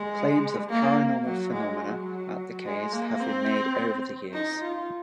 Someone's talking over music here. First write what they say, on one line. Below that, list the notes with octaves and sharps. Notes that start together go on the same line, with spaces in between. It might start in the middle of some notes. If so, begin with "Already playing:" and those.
Claims of paranormal phenomena at the caves have been made over the years.
Already playing: G#3
A#3
F#3
G#3
F#3
G#3
A#3
C4
D#4
F4